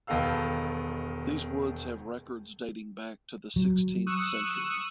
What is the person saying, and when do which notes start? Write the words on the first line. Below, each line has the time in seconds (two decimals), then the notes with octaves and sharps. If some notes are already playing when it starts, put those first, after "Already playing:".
These woods have records dating back to the sixteenth century.
0.07 E1 D#3 B3 A4 F5 E6
3.56 F#3
4.06 C#6 D#6 E6 F#6 C#7